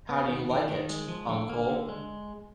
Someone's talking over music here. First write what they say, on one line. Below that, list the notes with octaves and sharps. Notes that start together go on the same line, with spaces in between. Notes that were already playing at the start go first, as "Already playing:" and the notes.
How do you like it, uncle?
B3
D#3
D#3
D#3
G#3
F3
D3
A#3
D3
G#3